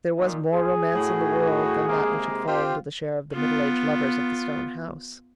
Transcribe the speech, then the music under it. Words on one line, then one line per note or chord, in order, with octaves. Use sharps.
There was more romance in the world than that which had fallen to the share of the middle-aged lovers of the stone house.
A#2 D#3 D#4
G#4
A2 F#4
C3 G#3 A#3
C4 F4 G4
B3 F4